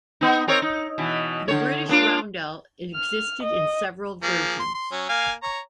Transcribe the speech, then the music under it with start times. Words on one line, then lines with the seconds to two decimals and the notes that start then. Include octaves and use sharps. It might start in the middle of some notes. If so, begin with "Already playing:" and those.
The British roundel existed in several versions.
0.21 B3 D#4
0.48 C4 A#4 C#5
0.62 D#4
0.98 B2 E3
1.48 D3 C#5
1.89 A#3 D4 F4
2.95 F6
3.43 D#5
4.23 F3 A#3 G#4
4.59 C6
4.74 C6
4.92 F#3 C#4
5.09 A#3 F5 G#5
5.43 C#5 A#5